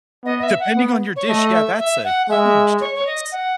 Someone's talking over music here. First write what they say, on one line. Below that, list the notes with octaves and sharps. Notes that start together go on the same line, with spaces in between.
Depending on your dish, yeah, that's a huge difference.
B3 D#5
D#5
E5
F#5
B3
C#5
A3 D#5
E5
E5
F#5
G#3 E5
C#5
C#5
D#5
F#5